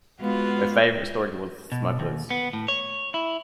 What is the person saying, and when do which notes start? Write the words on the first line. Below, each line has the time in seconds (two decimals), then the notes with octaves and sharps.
Her favourite story was The Smugglers.
0.20 G#3 B3 F4 F#4 F5
1.72 B2
2.00 D#2
2.30 B3
2.53 A2
2.68 C#5
3.14 E4